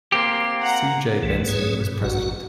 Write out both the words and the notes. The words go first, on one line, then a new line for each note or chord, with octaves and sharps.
C. J. Benson was president.
A#3 C4 G4 C6
F#5 A#5
C2 E3 A3
G#2 A3 G#4 B4 C#5
G2 B2
A#1 F#4 F#5